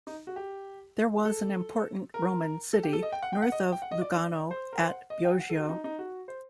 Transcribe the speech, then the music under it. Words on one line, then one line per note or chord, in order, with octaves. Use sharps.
There was an important Roman city north of Lugano at Bioggio.
D#4
F#4
G4
A4
A#4
A4
G4
A4
D#5
G5
F#5
G5
F#5
D#5
G5
F#5
D#5
D5
D5
C5
A#4
C5
F#5
D#5
G5
F#5
A4
F#4
D#4
D#4
F#4
C5